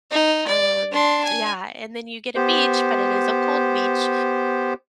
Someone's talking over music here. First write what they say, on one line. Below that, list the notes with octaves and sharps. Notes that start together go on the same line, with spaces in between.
um, yeah. And then you get a beach, but it is a cold beach,
D#4
D5
D4 C6
G#5
B3 G4 C5